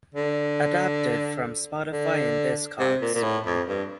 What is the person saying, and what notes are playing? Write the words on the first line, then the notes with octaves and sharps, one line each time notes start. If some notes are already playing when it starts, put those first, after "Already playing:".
Adapted from Spotify and Discogs.
D3
D3
C3
A#2
A#2
A2
F2
G2